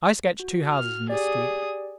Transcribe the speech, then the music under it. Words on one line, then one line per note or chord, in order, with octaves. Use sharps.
I sketch two houses in this street.
F#4
F6
G4 G#4 D5 D#6